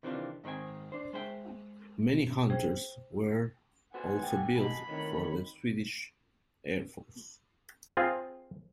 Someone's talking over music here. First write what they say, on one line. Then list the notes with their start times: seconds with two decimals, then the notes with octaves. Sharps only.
Many Hunters were also built for the Swedish Air Force.
0.03 C3 D#3 E3 C4 D4 F4
0.44 G#2 D#3 C4 G5 G#5
0.92 D4 C5
1.13 G#3 C5 E5 G5
2.50 G#4 C5 G5
3.94 B3 F#4 C5 F#5 G#5
4.23 E3 A3 G5
4.58 D#5 A5 B5
4.89 A2 C3 D#3 C#5
7.97 C4 F4 G#4